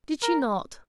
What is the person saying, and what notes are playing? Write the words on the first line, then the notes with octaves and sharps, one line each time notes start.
Did she not?
A#4